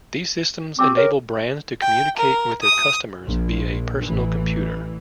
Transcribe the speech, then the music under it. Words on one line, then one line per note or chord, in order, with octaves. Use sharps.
These systems enable brands to communicate with their customers via a personal computer.
C4 G4 G5 D6
A#4 C#5
G5
A#4
D#6
A#1
A1 E3